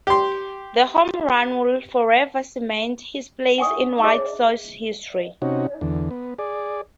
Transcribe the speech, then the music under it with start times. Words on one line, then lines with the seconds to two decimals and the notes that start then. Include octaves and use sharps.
The home run would forever cement his place in White Sox history.
0.07 G4 C6
3.58 F#5 G#5 C#6 D#6
4.04 G#4 C5 C#5 D#5 E5
5.42 C3 C#4 D#4 F#4
5.81 E2 D3
6.11 B3
6.39 G#4 D5